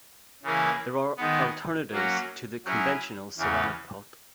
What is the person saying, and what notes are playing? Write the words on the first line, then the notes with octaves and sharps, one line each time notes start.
There are alternatives to the conventional ceramic pot.
C#3 E3 A#3 E4 G#4
D#3 G#3 B3
F#3 A#3 C#4 F#4
F#3 C#4 E4 G#4
E2 C#3 E3